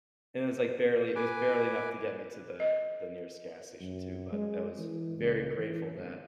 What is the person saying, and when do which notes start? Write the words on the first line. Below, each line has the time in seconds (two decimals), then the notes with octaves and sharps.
and it was like, barely it was barely enough to get me to the the nearest gas station too, but I was very grateful that
1.16 B4 G#5 D6
2.60 D#5
3.80 F#2
4.32 G#3
4.79 E3
5.18 C#2
5.58 E3
5.94 G1